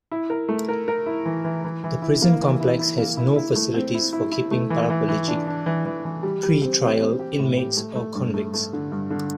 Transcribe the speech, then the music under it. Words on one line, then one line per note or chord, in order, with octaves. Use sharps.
The prison complex has no facilities for keeping paraplegic pre-trial inmates or convicts.
E4
A#4
A3
A#4
A#4
E4
E3
E3
E3
E3
E4
A#3
E3
E4
E4
A#3
E4
E4
A3
C4
E4
E4
E4
A3
E3
E3
E3
D4
D4
E3
E3
E3
G3
G3
C4
C4
C4
G4
A2
G4
A3
A3
G2
A3
A3
D3
G2
D3